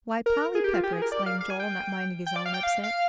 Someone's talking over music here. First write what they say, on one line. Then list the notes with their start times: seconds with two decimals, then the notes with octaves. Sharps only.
"Why, Polly Pepper!" exclaimed Joel, not minding his own upset.
0.26 A#4
0.55 G#4
0.64 G4
0.74 F4
0.83 G4
0.93 G#4
1.02 A#4
1.12 D5
1.26 F5
1.41 F5
1.50 G#5
1.60 G5
2.26 G5
2.36 D5
2.46 F5
2.54 G5
2.63 F5
2.83 F5